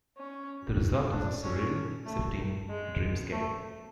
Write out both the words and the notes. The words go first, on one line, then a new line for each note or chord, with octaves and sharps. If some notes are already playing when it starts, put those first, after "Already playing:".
The result is a surreal, shifting dreamscape.
C#4
D4
C#4
A3
G#3
A3